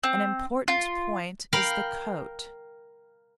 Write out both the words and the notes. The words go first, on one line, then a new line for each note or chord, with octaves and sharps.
An important point is the coat.
C4
F4
A#4 F5 G5 B5